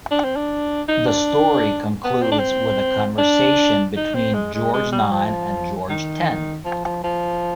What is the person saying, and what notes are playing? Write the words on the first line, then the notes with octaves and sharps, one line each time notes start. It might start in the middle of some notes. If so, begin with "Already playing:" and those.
The story concludes with a conversation between George Nine and George Ten.
D4
C4
D4
D#4
D4
B3
C4
D4
C4
D4
D#4
C4
G#3
G#3
G#3
G3
F3
D#3
F3
F3
F3